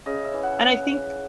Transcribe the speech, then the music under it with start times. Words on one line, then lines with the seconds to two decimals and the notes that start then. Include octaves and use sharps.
And I think
0.06 C#3 D#5
0.24 E5
0.33 E3
0.43 F#5